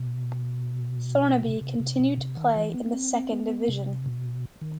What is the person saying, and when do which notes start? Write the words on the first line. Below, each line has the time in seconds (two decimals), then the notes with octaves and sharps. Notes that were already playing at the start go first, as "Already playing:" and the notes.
Thornaby continue to play in the second division.
Already playing: B2
1.43 C3
1.61 C3
1.80 C3
1.99 B2
2.17 C3
2.37 D#3
2.56 E3
2.74 B3
2.86 B3
2.93 C4
3.30 B3
3.68 C3
4.06 B2
4.61 D#3